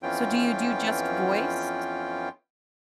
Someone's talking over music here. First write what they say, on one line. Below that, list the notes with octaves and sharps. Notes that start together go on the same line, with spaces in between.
So, do you do just voice?
F2 E3 B3 C#4 F4 G5